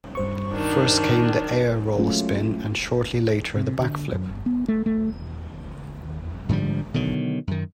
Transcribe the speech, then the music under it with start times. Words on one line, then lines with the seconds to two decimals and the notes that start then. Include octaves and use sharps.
First came the Air Roll Spin and shortly later the Blackflip.
0.15 G2 C5 C#6
0.53 D#3 D4
1.96 F#3 G#3 A3 C#4 F4
3.56 C3
3.80 D3
4.13 F#2
4.29 G1
4.46 B3
4.68 A3
4.86 A3
6.49 G#2 D3 F3 G3
6.94 B2 D3 D#3 F#3
7.47 F#2 D#3